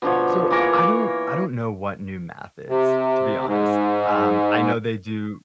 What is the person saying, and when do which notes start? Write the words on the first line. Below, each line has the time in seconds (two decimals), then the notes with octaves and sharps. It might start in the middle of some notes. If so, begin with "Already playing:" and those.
So, I don't I don't know what new math is, to be honest, um, I know they do
0.02 B2 D3 F3 C#5
0.50 E3 A#3 A#4 C#5
2.69 C3
3.46 G#2